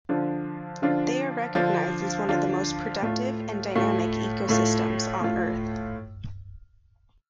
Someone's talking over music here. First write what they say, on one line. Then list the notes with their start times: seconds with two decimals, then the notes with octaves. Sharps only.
They are recognized as one of the most productive and dynamic ecosystems on Earth.
0.09 D3 F3 D4 F4
0.82 D3 F3 D4 F4
1.55 D3 F3 D4 F4
2.29 D3 F3 D4 F4
3.02 A2 A3 F4
3.75 A2 A3 F4
4.49 A2 A3 F4
5.21 A2 A3 F4